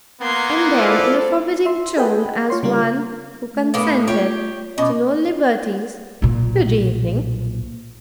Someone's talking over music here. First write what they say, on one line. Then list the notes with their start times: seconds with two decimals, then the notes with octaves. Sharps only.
And then in a forbidding tone, as one who consented to no liberties, "Good evening."
0.21 A#3 B3 A#5 C6 G#6
0.78 E4 F4 A4 C5 D5
1.65 E5 C6
1.97 G#4 A4 B4 D#5 F#5 G5
2.50 F4 C#5 C6
2.63 C#3 G3 A#3 F4
3.54 A3
3.74 A2 A#3 B3
4.08 F4 G4 C#5
4.78 B2 C#4 D#5 D6
6.22 B1 A#2